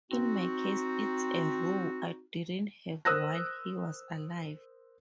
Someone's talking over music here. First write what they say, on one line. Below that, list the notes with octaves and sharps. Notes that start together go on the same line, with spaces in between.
In my case it's a row I didn't have while he was alive.
C4 D#4 F#4
A#4 C5 D#6 E6 F#6 A#6